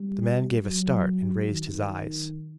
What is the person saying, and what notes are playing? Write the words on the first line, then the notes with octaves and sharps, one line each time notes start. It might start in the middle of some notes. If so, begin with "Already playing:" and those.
The man gave a start and raised his eyes.
Already playing: G3
F#3
D#3